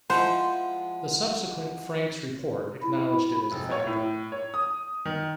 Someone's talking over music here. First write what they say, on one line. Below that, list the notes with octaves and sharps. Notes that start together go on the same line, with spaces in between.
The subsequent Franks Report acknowledged it as a factor.
F3 G#3 E4 C5 F#5
E4
F1
C#5
A2
C#5
D#6
D#3